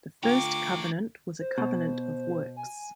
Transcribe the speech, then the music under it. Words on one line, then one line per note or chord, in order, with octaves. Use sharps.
The first covenant was a Covenant of Works.
D3 A3 F4 G5 A#5 C#6 D6
C5
B2
G#5